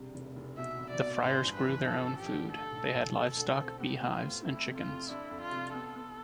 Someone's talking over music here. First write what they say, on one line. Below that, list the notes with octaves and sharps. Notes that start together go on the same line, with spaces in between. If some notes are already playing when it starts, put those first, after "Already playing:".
The friars grew their own food, they had livestock, bee hives and chickens.
Already playing: E1 C3 G3
F1
F1
B2 E5
C2
D5
B2
A1 C5
G2
B4
E3
F3 A4
A1
G4
D3
A3 A4
B1
B1
A3 A4
D3
C4
B3 G4
A2
F4
A2
F2 E4
C3
F4
F2
D4 E4
F2
F4
C3
B3 A4
B3